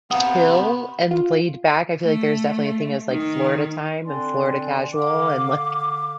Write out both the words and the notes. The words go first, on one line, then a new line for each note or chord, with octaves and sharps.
"chill and laid back." I feel like there's definitely a thing as, like, Florida time and Florida casual and, like,
C3 B3 F5 F#5 D#6
F4
A3
D#3
D3 C4 D4 D5 G#5 C6
D3 F5 D6